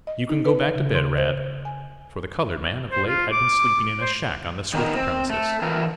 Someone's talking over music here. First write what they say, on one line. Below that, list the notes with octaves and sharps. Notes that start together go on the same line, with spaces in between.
"You can go back to bed, Rad," for the colored man, of late, had been sleeping in a shack on the Swift premises.
D#5
D#4
B4
E5
C#3
C6
C5
G#5
C5
F4
D6
C5
D#3 B3 D#4 A#4
C4
A3
E3 F4 A4 A#4